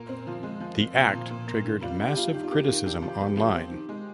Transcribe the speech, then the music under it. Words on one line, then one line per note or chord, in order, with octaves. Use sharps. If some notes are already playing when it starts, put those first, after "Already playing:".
The act triggered massive criticism online.
Already playing: A#2 A#4
C4
F3
G#3
F3
C4
A#2
F3
A#2
A#3
D3
G3 F4
D4
G4
D4 F4
D#3 G4
F4
A#3 G4
D#3 F4
D4 G4
F3
A#3 G4
F3
C4
D#3
G#3